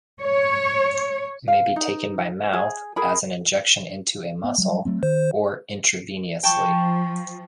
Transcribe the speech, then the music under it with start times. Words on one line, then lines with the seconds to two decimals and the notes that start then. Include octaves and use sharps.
It may be taken by mouth, as an injection into a muscle, or intravenously.
0.21 C#5
1.48 F5
1.76 D#4
2.53 G#4
2.96 G#4 A#4 B5
4.44 B3
4.58 F#3 G3
4.85 F#3 A3 C4
5.03 D#3 C5
5.15 C5
6.43 F3 G5 A5 C#6